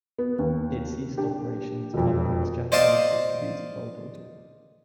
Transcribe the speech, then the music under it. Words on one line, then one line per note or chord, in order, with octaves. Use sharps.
It ceased operations after its Japanese distributor folded.
B3
D#2
D4 G4
E1 F2
C5 D5 D#5 F5 A5 C6